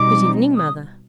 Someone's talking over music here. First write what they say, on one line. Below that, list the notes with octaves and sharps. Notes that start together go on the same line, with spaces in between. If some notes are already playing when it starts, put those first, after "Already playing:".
'Good evening, Mother.'
Already playing: B2 G3 C4 D#4 D6
D#6